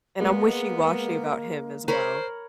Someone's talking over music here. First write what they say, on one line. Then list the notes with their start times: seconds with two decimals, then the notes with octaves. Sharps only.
and I'm wishy-washy about him as well.
0.21 G#3 A#3 B3
1.88 A#4 C5 C#5 B5